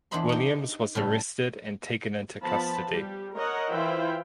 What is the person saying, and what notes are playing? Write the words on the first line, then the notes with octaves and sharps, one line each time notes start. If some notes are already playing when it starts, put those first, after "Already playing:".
Williams was arrested and taken into custody.
E2 D4 C5 D#5 B5 C6
D#4 G4
A2 C#3 G3
F3 B3 A5 B5
G3 G4
A#4 C#5 D#5 F#5
E3 E4 F4 C5 E5 G5